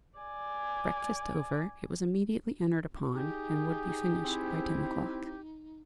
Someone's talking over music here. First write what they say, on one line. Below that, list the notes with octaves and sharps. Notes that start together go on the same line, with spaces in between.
Breakfast over, it was immediately entered upon, and would be finished by ten o'clock.
D5 G#5
D#4 G4 G#4
C4 E4